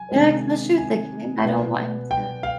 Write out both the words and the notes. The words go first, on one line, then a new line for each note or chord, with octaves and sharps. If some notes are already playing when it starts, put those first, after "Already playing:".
Yeah, especially with a kid. And I don't want him to
Already playing: G#5
C3 D#3 G#3
G#5
B2 B3 D4
G5
F5